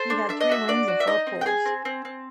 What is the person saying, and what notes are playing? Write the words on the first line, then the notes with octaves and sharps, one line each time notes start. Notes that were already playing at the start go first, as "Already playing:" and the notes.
He had three wins and four poles.
Already playing: A4 C5
D4
D4 E5
D#5
F#4 E5
D4 D5
F#4
E5
D#4 D#5
C4
G5
G#4 G#5
C4
C4
C4